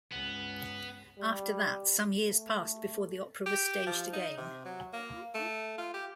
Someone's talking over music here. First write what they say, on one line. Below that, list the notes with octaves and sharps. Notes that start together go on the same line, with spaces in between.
After that some years passed before the opera was staged again.
C#2 G2 B3
G3
A3
G4
F3
D#4
C3
F#3
A#3
A3
F4
G4